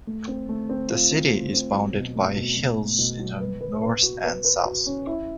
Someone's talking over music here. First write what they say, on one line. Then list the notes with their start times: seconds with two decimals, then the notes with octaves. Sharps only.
The city is bounded by hills in the north and south.
0.07 A3
0.28 C4
0.49 A3
0.69 C4
0.90 F4
1.11 C4
1.32 A3
1.53 C4
1.74 F#3
1.95 B2
2.15 A3
2.36 B2
2.57 B2
2.77 A3
2.99 B2
3.19 F#3
3.40 B4
3.61 B4
3.82 B4
4.03 F#4
4.24 B4
4.45 B4
4.65 F#4
4.86 C#4
5.07 E4